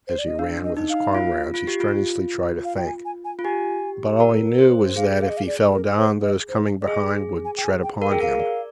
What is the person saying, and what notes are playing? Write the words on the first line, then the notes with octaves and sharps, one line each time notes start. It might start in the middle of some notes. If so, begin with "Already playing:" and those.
As he ran with his comrades he strenuously tried to think, but all he knew was that if he fell down those coming behind would tread upon him.
C5
D5
D#5
D4 F5
D#5
D#4
F5
F4
F4
G4
F4
F5
G5
G#5
G#5
G#5
F4
G4 G#5
A#4
C5
G#4 F5
F5
D#5
F5
D5
A#4
C5
D#5
C5
D5
G#4 D#5
G#5
G5
G#5
G5
A#4 F5
G#4 G5
A#4 F5
D5